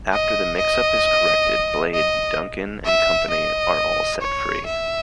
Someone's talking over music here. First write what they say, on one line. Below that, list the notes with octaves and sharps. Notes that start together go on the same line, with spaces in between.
After the mix-up is corrected, Blade, Duncan and company are all set free.
D#5
D#5
D#5
E5
D#5
C#5
E5